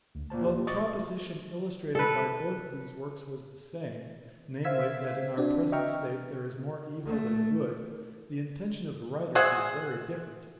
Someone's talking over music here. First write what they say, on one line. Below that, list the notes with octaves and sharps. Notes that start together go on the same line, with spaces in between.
Though the proposition illustrated by both these works was the same, namely, that in our present state there is more evil than good, the intention of the writers was very different.
D2
A#2 A#3 C5 A5
A#2 G4
F#4 D#5 C#6 D6 A6
A4 B4
C5 E5 F5 E6 G#6 B6
C4 D4 F#4
D#5 E5 G5 A#5 C#6 F6
A3
G#4 C5 E5 F#5